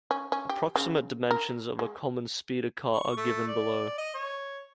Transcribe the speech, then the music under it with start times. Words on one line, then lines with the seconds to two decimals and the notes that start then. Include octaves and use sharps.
Approximate dimensions of a common speeder car are given below.
0.11 C#4
0.32 C#4
0.49 G4
0.76 C#3
1.31 A#4
1.79 G#3
2.93 C#6
3.17 A3
3.48 D5
3.98 D#5
4.14 C#5